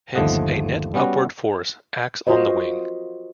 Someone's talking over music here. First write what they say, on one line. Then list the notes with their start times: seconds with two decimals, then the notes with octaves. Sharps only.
Hence, a net upward force acts on the wing.
0.15 G1 D#2 F3 A3 D#5 F#5
0.94 G3 B3 C#4 F#4
2.27 F4 F#4 A#4 C5 D#5